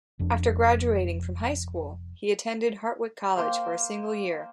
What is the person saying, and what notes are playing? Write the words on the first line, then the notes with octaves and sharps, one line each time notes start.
After graduating from high school, he attended Hartwick College for a single year.
F1 F2 D4
A#3 C5 G5 C6